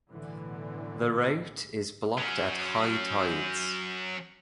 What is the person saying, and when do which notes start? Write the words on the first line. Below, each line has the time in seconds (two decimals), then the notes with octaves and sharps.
The route is blocked at high tides.
0.12 B1 A2 D3 E3
2.18 F#3 C#4